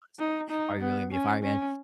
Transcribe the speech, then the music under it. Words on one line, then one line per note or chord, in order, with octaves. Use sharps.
honestly, are you really gonna be a fireman?"
D#4
D#4
B3
C#4
C#4